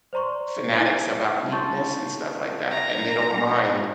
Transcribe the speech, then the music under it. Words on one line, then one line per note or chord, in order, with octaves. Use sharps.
fanatics about neatness and stuff like that, and they don't mind,
C5 D5 A#5 C6 C#6
D#4 E4 C#7
A5 C6 C#6 G6 A6
A#5